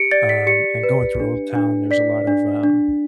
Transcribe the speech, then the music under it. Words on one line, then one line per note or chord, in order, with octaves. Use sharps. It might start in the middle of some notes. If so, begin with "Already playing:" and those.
um, and going through Old Town, there's a lot of, um,
Already playing: G4 C#7 D7
D5 A6
B6
G4 C#7
B4
D4
D4
D5 B6
D4
D4